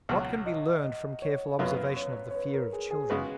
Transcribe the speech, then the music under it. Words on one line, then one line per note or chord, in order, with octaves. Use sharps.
What can be learned from careful observation of the fear of children?
C#2 B2 F#3 F#5
D#5
D#5
C#5
F#2 C#3 F#3 B3 F4 B4
C#5
C#5
B4
A#4
G#4
G#4
C#3 G#3 B3 F#4 G#4 B4